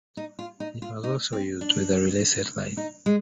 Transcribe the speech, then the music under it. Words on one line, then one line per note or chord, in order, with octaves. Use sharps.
It was also used with the Relay satellite.
D#4
F4
D#4
F4
D#4
C4
D4
D#4
G#3